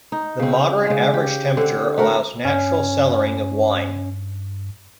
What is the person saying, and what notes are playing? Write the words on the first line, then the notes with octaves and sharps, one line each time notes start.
The moderate average temperature allows natural cellaring of wine.
D#4
C#3 C4
C#3 G#3
G4
D3 C4
A3 F#4 A#4
G2 C#4